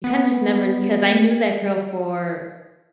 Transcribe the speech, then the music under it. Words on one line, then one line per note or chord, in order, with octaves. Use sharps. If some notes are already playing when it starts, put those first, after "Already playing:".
kinda just never kn 'Cause I knew that girl for
B3